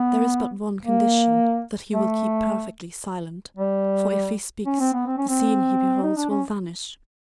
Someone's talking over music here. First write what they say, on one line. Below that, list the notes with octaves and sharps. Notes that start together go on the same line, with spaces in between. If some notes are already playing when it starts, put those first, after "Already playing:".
There is but one condition, that he will keep perfectly silent; for if he speaks, the scene he beholds will vanish.
Already playing: B3
A#3
A3
G3
C#4
C4
B3
C4
C#4
C4
D#4
D4
C#4